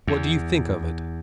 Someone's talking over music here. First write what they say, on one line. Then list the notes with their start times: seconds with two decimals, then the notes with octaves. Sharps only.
What do you think of it?'
0.07 E2